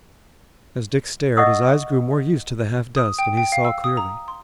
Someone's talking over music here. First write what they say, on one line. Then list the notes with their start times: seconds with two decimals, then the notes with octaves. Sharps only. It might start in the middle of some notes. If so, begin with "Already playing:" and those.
As Dick stared his eyes grew more used to the half dusk and he saw clearly.
1.37 D#5 E5 F#5 C#6 D#6 E6
2.96 D#6
3.18 G5
3.37 G5
3.52 F5
3.65 E6
3.84 D#6
3.97 A#5
4.28 C6